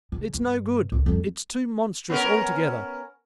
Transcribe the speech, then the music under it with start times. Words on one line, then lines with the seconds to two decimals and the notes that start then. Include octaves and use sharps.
It's no good; it's too monstrous altogether.
0.12 C#3
0.34 G2
0.92 C2
1.06 F2 G3
2.10 B3 C#4 A#4